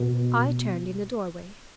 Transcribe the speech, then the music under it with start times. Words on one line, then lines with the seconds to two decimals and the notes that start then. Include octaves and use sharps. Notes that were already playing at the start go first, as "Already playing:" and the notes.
I turned in the doorway.
Already playing: B2